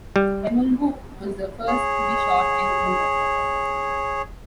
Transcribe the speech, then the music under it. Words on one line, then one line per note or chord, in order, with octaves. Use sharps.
Pemulwuy was the first to be shot and wounded.
G3
G#4 C#5